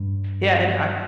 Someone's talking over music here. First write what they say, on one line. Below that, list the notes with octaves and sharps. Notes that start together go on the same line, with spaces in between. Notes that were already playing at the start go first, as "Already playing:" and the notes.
Yeah, and I
Already playing: G2